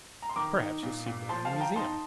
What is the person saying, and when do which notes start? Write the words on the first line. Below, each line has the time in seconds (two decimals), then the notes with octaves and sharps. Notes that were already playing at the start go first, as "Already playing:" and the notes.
Perhaps you have seen one in a museum.
0.22 A#5
0.29 C6
0.36 D#3 A#5 D6
0.59 D#4
0.83 A#2
1.06 A#2
1.29 F3 A5 C6
1.45 F5 A5
1.53 F3
1.60 G5 A#5
1.76 D#4 A5 C6